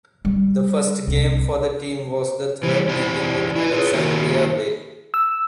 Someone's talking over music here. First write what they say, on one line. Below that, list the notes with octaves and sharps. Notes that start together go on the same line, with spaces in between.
The first game for the team was the third meeting with Alexandria Bay.
G3
C2
E3 G3
E2 E4 C5 D5
E4 B4
F4 G#4 B4
D#3 A#3 E4 F#4 A#4
E6